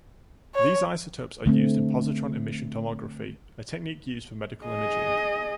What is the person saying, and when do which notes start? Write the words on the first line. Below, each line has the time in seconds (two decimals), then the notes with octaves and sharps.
These isotopes are used in positron emission tomography, a technique used for medical imaging.
0.55 C#5
1.46 D3 A3 C4
4.64 G#4 D#5